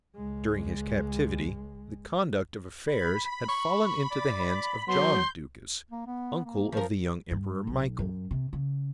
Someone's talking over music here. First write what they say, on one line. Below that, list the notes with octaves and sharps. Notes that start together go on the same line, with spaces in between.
During his captivity the conduct of affairs had fallen into the hands of John Ducas, uncle of the young emperor Michael.
C#2 G#3
B5
C#6
D5
F#3 B3 C6 G6
A#3
B3
A#3
F3 A#4
G2
B1
F#2
C3
C#3